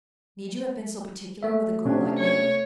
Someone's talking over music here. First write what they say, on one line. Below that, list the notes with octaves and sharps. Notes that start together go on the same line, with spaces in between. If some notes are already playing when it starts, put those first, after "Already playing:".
"Need you have been so particular with a girl like me?"
A3 E5
C3 C#4 D4
C#5